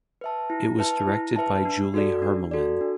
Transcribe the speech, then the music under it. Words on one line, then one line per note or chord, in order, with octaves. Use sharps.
It was directed by Julie Hermelin.
B4 E5 A5
E4
B4 E5 A5
E4
B4 E5 A5
D4
F#4 A4 D5
D4
F#4 A4 D5
D4